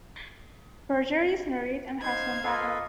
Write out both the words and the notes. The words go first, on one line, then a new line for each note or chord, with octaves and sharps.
Berger is married and has one daughter.
D#4 C5 F5 G#6
A#3 F4 A4 B4 D#5